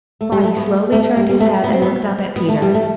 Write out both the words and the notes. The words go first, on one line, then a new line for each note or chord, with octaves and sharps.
Spotty slowly turned his head and looked up at Peter.
A3
G3
A3
B3
A3
G3
G3
A3
B3
C4
B3
B3
A3
G3
A3